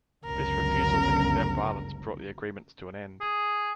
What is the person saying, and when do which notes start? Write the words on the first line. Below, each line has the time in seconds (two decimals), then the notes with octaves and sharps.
This refusal to condemn violence brought the agreements to an end.
0.24 G1 C#2 F#2 A#4
3.21 G#4